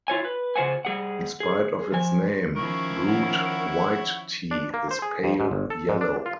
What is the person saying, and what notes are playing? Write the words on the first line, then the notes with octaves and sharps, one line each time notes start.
In spite of its name, brewed white tea is pale yellow.
E4 F4 C#5 G#5
B4
C#3 F4 C5 F#5 G#5
G3 G#4 F#5
G#4
F3 G#5
D#3 F3 C#4 E4 A#4 C#5 C#6
F#5
D4
A#3
C5
G#4
F2
G#2
G1
A4
G#2
D4
F4